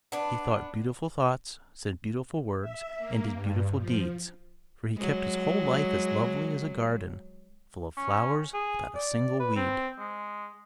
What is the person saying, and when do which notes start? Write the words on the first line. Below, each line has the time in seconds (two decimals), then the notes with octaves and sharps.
He thought beautiful thoughts, said beautiful words, and did beautiful deeds, for he kept his whole life as lovely as a garden full of flowers without a single weed.
0.12 B3 D4
2.61 E5
2.98 A#3
3.32 G2
3.77 F3
4.97 F#3 G#3
7.97 C#4
8.54 G#4
8.95 D5
9.39 B4
9.56 C4
9.98 G#3